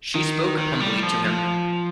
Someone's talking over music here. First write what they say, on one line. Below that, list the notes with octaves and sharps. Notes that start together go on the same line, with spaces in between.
She spoke humbly to him.
D#3
D#3
G3
F3
F3